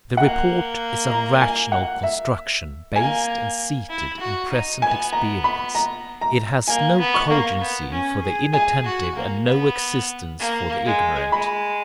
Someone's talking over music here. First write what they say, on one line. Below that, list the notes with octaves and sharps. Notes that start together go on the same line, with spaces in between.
The report is a rational construction based and seated in present experience; it has no cogency for the inattentive and no existence for the ignorant.
A#3 F#5
A#5
G#5
F#5
E5
A#3 G#5
E4
F#4
D#4
B3 G#5
A#5
B5
A#5
A#5
A#3 G#5
B3
C#6
A#3
B3
C#4
G#4
G#4 G#5
F#4
A#3
B3
A#3
G#3
G#3 B5